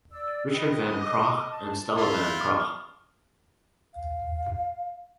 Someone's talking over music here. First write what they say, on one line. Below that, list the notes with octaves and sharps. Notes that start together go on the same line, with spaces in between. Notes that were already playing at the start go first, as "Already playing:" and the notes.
Richard Van Praagh and Stella Van Praagh.
D5 E6
B4 D#5 G5
D6
A5
E4 F4
F6
F5